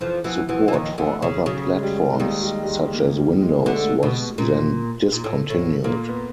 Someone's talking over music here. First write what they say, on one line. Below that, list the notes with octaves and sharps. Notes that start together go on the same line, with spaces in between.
Support for other platforms, such as Windows, was then discontinued.
F2 E3 F3
E2 E3 F3
E2 E3 F3
E3
D#2 D#3
D2 D3
C#3
C#3 F#3
G#3
G3
G#3
D#2 D#3 G3
G3
G3
G#3
A#3
G3
G#3
D2 D3 A3
B2
A#2
A#2
A2
A2
A#2 A#3
B3